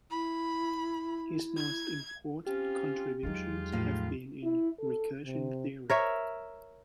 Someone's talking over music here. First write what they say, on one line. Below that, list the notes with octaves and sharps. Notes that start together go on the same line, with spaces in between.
His most important contributions have been in recursion theory.
E4 B5
G#6
C4 C#4 F4 G4
E2 F#3 G#3 D#4 F4
A2 F3 F5
E4
A4
C3
A#4 C#5 E5